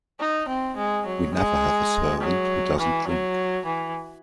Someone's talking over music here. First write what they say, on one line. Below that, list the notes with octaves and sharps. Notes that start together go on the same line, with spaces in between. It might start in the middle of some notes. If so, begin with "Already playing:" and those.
We never have a servant who doesn't drink.
D#4
C4
G#3
F#3
G#3
F#3
E3
F#3
E3